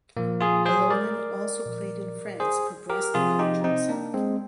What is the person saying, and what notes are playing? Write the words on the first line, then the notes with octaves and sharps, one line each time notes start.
Halonen also played in France for Brest Albatros Hockey.
A#2 F3 A#3
F4 G#4
G#4 C5
A#4 D5
A#2 F3
G#4 C5
G4 A#4
C3 F3 F4 G#4
D#4 G4
C4 D#4
A#3 D4
G#3 C4